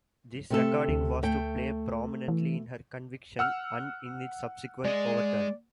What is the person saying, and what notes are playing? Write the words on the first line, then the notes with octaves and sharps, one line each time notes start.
This recording was to play prominently in her conviction and in its subsequent overturn.
C3 A3 A4
D2
A3 G5
E3
F#5 E6 F6
G#3 D5 D#5